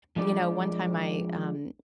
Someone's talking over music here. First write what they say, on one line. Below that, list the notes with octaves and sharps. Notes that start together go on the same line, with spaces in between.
You know, one time I, um,
F3 G#3 D4 D5